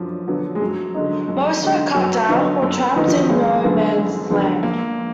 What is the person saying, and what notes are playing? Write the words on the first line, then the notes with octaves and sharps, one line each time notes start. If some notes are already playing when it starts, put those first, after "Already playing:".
Most were cut down or trapped in no man's land.
Already playing: F#2 F3 F#3 D4
D3 F#3 B3 D4
G#3
F#2 F#3
D3 G#3 D#4
F#2
D3 G#3 D#4
F#2 F#3
D3 F3 B3 D#4
F#2
D3 D#3 F3 B3 D#4
F3
F#3
F#1 G#3
F#2 D3 F3 B3
F#1
F#2 D3 F3 B3
A#1 A#3